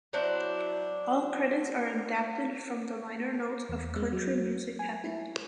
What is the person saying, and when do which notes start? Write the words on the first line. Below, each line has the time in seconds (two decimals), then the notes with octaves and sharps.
All credits are adapted from the liner notes of "Country Music Heaven".
0.13 F#3 C4 D4 E4
3.69 E2
3.96 G#3
4.13 F#3
4.79 G#5
5.04 E4